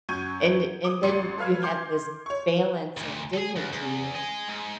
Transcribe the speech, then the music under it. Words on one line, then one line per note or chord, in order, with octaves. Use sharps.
and and then you have this balance of dignity,
F#2 F#3 C#6 G6 G#6 D#7
D6 D#6
A1 C6 C#7 D#7
A4 B4 F5 F6 G#6
C6 D6 G6 G#6
C#5 C#6
D2 A#2
G#4 A4
C#2
E2
D#5 G#5
G#2